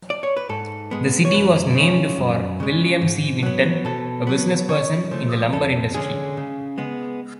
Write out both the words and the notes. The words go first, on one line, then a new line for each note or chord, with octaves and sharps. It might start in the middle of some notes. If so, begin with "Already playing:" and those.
The city was named for William C. Winton, a businessperson in the lumber industry.
D5
C#5
B4
G#2 A4
G#3 B3
C#5
F#2 B4
C#3 G#3 C#4
F#2
C#3 G#3
G#2
F#3 B3
B2 A4
F#3 B3
C#3 C#5
F3 A3
F2 A4
D3 G#3 C#4 G#4
C#3
G#3 B3